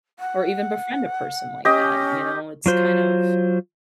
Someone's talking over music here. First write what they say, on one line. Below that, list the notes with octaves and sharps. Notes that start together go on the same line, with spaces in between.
or even befriend a person like that, you know, it's kind of
F#5
C#4 G4 D#5
F#3 F4 C5